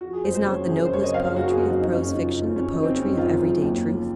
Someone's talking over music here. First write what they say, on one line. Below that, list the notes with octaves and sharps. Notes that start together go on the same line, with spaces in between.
Is not the noblest poetry of prose fiction the poetry of every-day truth?
F3 F#4
G#4
F#1 C5
C5
F#2 C#5
F#2 G#4
A#4
C5
F#1 C#5
D#5
F#1 F5
F5
F#1 F#4
G#4
F#1 F#4
D#4
F#1 D#4
C#4
F#1 D#4
F4
F#2 D#4
C#4
F#1
C#4
F#1 D#4
C4
F#1 C#4
D#4
F#2 F4
F#1
D#2
F3